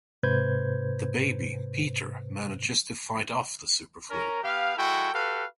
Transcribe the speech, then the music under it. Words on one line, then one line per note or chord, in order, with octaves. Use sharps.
The baby, Peter, manages to fight off the Superflu.
G#2 C3 B4 C5 G6 G#6
C#4 A#4
B3 G4 F5
G#3 E4 F#4 A4 G5
F#4 G4 A4 B4 F5